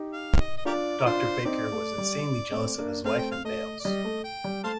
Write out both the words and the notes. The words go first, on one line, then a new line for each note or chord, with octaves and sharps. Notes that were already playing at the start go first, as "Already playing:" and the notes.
Doctor Baker was insanely jealous of his wife and Bales.
Already playing: D#4 G4
F5
D#5
D#5
D4 F4 G4 A#4 D5
A#4
D4 F4 C5
C4 D#4 D5
A3
G3
A3 C4
A#3 D4
A3 C4 F5
G5
F5
A3 D#5
D5
G3 D#5
A3
G5
G3
A3 C5 F5 A5